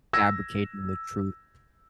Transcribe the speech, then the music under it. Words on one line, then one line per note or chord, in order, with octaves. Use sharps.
fabricating the truth
E6 G#6 A#6